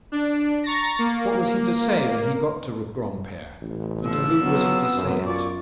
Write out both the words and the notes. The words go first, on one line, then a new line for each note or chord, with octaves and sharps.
What was he to say when he got to Granpere, and to whom was he to say it?
D4
A#5 C#6 A6 A#6
A#3
A1
F3 E6
F#3 B3
F#2
F4 C#5 D5